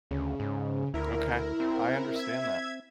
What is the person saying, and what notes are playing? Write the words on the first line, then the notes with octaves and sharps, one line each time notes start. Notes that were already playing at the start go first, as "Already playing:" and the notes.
Okay. I understand that.
D2 C#3
G#2
D2 E4 A#4
C4
E5 G#6